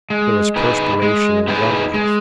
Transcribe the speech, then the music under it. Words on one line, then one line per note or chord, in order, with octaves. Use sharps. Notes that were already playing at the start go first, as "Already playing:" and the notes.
There was perspiration and grumblings.
G#3
B3 D#4 G#4 B4
G#3
B3 D#4 G#4 B4
G#3